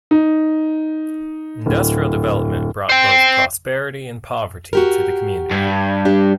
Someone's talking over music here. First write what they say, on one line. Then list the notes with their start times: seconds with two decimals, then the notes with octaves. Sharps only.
Industrial development brought both prosperity and poverty to the community.
0.11 D#4
1.66 D1
2.89 C5 G5
4.73 F#4 G4 A#4
5.51 G2
6.05 D4 G4